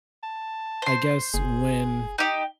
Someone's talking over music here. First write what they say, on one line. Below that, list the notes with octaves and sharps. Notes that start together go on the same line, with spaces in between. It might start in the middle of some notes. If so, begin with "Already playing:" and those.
I guess when,
A5
C5 C6
F#1 G#4
D#4 G4 G5